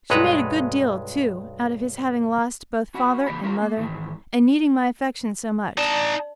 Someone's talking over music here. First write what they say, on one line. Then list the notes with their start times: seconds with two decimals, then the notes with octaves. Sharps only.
She made a good deal, too, out of his having lost both father and mother, and needing my affection so much.
0.10 B1 G2 G#3 A4 B4 A#5
2.94 C#4 F#4 F#5 B5
3.26 C#3 E3 A#3 G4 B5
3.43 C#4 E4 F4 A#4 F5 A#5
3.62 A#3
3.77 G#2 D#3 E3
5.78 D4 D#4 A5